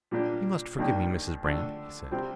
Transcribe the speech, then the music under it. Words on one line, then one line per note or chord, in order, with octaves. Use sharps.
"You must forgive me, Mrs. Brand," he said.
A#2 G3 A#3 D4 G4
D#2 D#3 G3 A#3 D4
D3 A3 D4
C3 G3 C4 G4